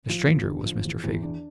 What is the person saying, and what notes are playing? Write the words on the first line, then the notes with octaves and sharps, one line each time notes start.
The stranger was Mr. Fagin.
F3
E2
D3
F3
E2
E2
D4